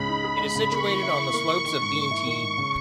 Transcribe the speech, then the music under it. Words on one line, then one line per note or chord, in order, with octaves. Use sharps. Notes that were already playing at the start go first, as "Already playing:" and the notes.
It is situated on the slopes of Beentee.
Already playing: C#2 C#3 G#3 B5
D#4
G#4
G#3
C#3
A#3 C#6
E3
E4
E3
A#3
E3
D#3 C#6
G#2
A#3
E4
D#3
G#2
C#3